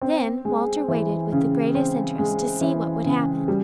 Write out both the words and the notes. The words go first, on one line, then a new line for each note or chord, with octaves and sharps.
Then Walter waited with the greatest interest to see what would happen.
C4
G#3
E3
C#3
C4
G#3
E3
C#3
G3